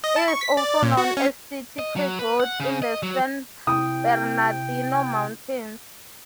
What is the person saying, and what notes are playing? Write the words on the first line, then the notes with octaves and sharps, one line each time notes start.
It is also known as City Creek Road in the San Bernardino Mountains.
D#5
A5
C#6
B6
D5
A#2
F#4
C#4
D#5
F#3
B4
F#5
C#3
D#5
F#3
C3 E4 G5 D#6